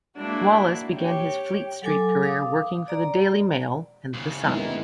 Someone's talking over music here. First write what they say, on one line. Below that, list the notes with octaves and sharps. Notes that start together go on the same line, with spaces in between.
Wallace began his Fleet Street career working for the "Daily Mail" and "The Sun".
G#3 A#3 D4 E4 F#4
G4 C#5
F#3 A4 G#5 D6
F5 D6 D#6
D5 A#5
D#2 C#3
G#1 G#2 D#3 B3 E4